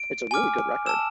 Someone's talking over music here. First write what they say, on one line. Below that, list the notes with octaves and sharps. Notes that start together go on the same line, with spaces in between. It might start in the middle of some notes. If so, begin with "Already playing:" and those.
It's a really good record.
Already playing: D7
G#5 D6 F6
A5 E6 E7